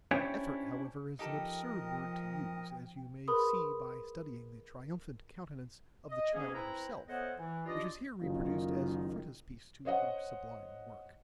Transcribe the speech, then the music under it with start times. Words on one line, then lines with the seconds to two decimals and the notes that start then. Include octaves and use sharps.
"Effort," however, is an absurd word to use, as you may see by studying the triumphant countenance of the child herself, which is here reproduced as frontispiece to her sublime work.
0.11 C#4 D4 E4 G4 C5 C#5
1.19 F3 D#4 G4 A4 A#4 D#5 G5 D#6
3.28 G#4 A#4 B4 B5 C6 D#6
6.09 D#5
6.33 G#2 A#3 C#4 G#4
6.53 C4 E4 B4 C5 A#5 B5
7.07 A3 B3 C5 C#5 D#5 F#5
7.37 E3
7.66 D4 F4 G4 D5 D#5
8.21 F#1 D#3 F4
9.85 C5 C#5 D#5 F#5